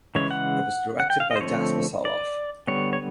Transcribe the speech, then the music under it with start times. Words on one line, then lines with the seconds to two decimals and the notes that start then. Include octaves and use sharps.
It was directed by Jasper Soloff.
0.15 C#3 E3 G#3 C#5
0.31 F#5
1.00 F#5
1.10 G5
1.20 F5
1.31 D#5
1.36 C5
1.41 D3 F3 A3 C4 C#5
2.05 D5
2.67 D3 G3 B3 C#5
2.93 C#5